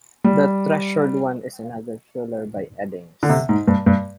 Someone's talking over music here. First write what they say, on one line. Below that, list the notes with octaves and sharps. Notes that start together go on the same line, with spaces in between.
The Treasured One is another thriller by Eddings.
G3
D3
C3
G#2
G2
G2